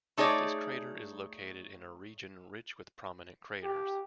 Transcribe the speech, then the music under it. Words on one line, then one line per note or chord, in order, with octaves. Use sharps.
This crater is located in a region rich with prominent craters.
A3 D#4 G#4 C#5 D5
G4